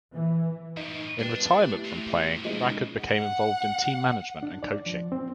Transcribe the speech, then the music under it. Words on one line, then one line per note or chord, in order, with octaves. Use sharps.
In retirement from playing Rackard became involved in team management and coaching.
E3
F#2 A2 D#4
G3 B3 D4
A3 E4 G4
A#2 F#3
B2 E3 F3 G3 G#3 C#4 D#4
F#5
D4
D5
F3
C4